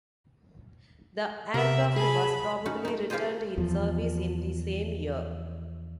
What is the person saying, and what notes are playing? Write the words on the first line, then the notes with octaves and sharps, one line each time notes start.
The aircraft was probably returned in service in the same year.
C3 G4 A#4 E5
G#4 G#5 A5 B5
C#4 D#4 F#4
A3 D#4
E4 F4 G4 G#4 C5 D#5
E2 F3